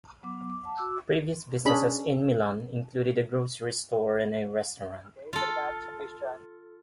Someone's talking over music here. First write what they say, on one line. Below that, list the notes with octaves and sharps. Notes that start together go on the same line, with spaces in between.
Previous businesses in Milan included a grocery store and a restaurant.
F#3 B3 D6
D6
F#5 A5
F#4 D6 E6
C#4 D4 G#4 B5
F4 A4